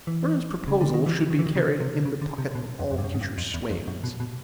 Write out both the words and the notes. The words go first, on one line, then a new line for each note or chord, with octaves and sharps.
Bernard's proposal should be carried in the pocket of all future swains.
E3
C#3
D3
D#3
E3
D#3
E3
D#3
C#3
C3
C#3
D3
C3
B2
F2
F2
G2
F#2
G#2
G2
F2
E2
F2
F#2
B2
B2